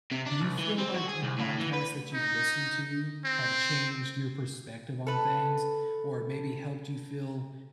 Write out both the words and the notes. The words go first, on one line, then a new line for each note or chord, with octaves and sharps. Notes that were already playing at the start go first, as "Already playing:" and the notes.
Do you feel like the podcasts that you've listened to have changed your perspective on things, or maybe helped you feel
C3
D4
C2
E3
C4
F#4
G#4
C2
A2
E3
B4
D#4
C4
A4 B4